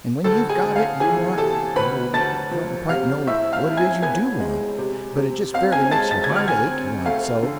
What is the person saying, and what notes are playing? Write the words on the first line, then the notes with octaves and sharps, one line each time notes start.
And when you've got it, you want--oh, you don't quite know what it is you DO want, but it just fairly makes your heart ache, you want it so!
D2 A4 A5
G#4 G#5
D2
F5
E3 G#4 G#5
C3 A4 A5
D2 B4 B5
D2 A5 A6
F3
C3 F5 F6
A2 E5 E6
F5 F6
E4
G#5 G#6
B3 G#5 G#6
G#3
C3
C3
C4 F5 F6
G#5 G#6
G#3 A5 A6
A6
G#6
D2
F6
G#5 G#6
C4
A3 F5 F6
D3